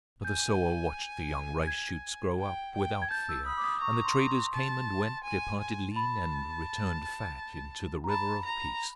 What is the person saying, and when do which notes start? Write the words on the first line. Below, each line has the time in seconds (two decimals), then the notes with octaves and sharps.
But the sower watched the young rice-shoots grow up without fear, and the traders came and went, departed lean and returned fat into the river of peace.
0.25 G#5 G6
1.67 G#6
2.39 G5
2.75 G5
3.02 G#6
3.11 A5 G6
3.29 E6
3.46 B5 D#6
3.58 D6
3.64 D#6
3.81 A#5 C#6
4.05 C6
4.29 C6
4.53 A5
5.24 G#5
5.61 G#5
5.95 A5 B5
8.04 A#5
8.09 A5 B5
8.45 A#5